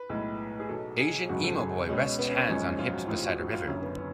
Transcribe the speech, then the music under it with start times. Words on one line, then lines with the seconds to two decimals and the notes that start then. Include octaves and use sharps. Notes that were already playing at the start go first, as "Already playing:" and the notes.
Asian emo boy rests hands on hips beside a river.
Already playing: B4
0.09 B1 A2 G#3
0.60 G#4
0.69 B1 B2 F#3 A4
0.99 G#4
1.29 G#1 F#2 C#3 F#3 F#4
1.44 A4
1.58 G#4
1.89 C#2 B2 G#3 C#4
2.19 B3
2.28 C#4
2.39 B3
2.48 G#1 F#2 F3 G#3 C#4
2.63 C#4
2.79 F4
2.93 F#4
3.08 A1 G#2 F3 G#3 F4
3.23 F#4
3.38 F#4
3.53 F4
3.67 F#1 F#2 D3 C#4
3.82 B3
3.98 C#4